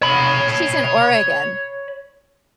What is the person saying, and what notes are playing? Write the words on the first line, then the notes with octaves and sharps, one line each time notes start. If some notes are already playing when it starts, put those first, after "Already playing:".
She's in Oregon.
C#5 B5